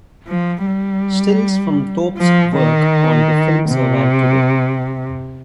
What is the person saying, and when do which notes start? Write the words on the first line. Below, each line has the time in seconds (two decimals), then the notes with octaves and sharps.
Stills from Thorpe's work on the film survive today.
0.28 F3
0.66 G3
2.18 F3
2.56 D#3
3.70 C3